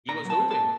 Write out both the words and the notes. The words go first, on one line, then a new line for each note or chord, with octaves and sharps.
He was hooping.
A#2 A#5
F#3 A5
C4
A5
A#2